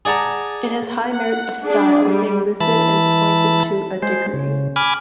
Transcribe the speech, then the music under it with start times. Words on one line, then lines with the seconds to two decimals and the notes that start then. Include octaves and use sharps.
It has high merits of style, being lucid and pointed to a degree.
0.05 G#4 D5 F#5 A5 A#5
1.11 F#5
1.64 D4 G#4
2.07 G3
2.60 E3 A5 B5
4.02 G#3 C5
4.34 C#3
4.76 G#5 B5 D6 F6